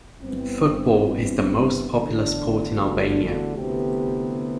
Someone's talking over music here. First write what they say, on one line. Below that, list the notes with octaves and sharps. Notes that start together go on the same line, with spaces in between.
Football is the most popular sport in Albania.
G2 E3 B3 C4
E2 D3 A3 D4
F#4
D2 C3 E3 B3 G4